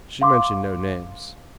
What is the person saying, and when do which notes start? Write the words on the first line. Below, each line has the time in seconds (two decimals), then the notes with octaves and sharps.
"She mentioned no names."
0.22 F5 C6 D6